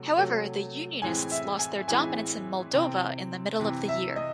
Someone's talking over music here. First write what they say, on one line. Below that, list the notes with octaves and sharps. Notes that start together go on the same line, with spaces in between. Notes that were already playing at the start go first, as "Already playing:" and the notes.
However, the "unionists" lost their dominance in Moldova in the middle of the year.
Already playing: C3 F#3 A3
C3 F#3 A3
A2 E3 G#3 C4 G#5
E5
G#5
A2 E3 G#3 C4 G#5
C3 E3 C4
C3 E3 C4
E5
D#5